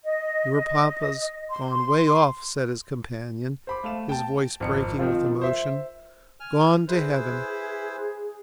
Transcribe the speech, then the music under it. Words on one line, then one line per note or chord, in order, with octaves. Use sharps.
"Your papa's gone 'way off"--said his companion, his voice breaking with emotion--"gone to heaven."
D#5
C6
C5 B5 D6
A3 F5 E7
G5 A5
G#1 F2 C#7
D#3 F3 C4 F4
C5 E5
G#5 F6
E4 G#4 B4 C5